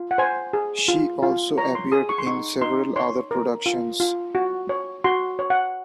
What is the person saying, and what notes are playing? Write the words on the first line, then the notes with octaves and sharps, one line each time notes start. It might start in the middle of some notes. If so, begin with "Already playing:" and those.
She also appeared in several other productions.
Already playing: F4
F#5
C5 G#5
G#4
F4
F4
C#5 A#5
C6
G#4 D#6
C#6
C6
D#4 C#6
D#4 C6
C#5 C6
A#4
F4
F4
F#4
C#5
F#4 C6
C#5
F#5